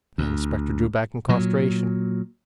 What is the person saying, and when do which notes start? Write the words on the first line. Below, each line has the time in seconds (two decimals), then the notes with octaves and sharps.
The inspector drew back in consternation.
0.18 D2
1.29 A#2 F#3